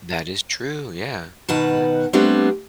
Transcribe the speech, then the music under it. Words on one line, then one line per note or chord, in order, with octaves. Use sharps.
That is true, yeah, mhm.
B2 D#3 B4 F#5 A5
G3 A3 B3 C4 D4 G4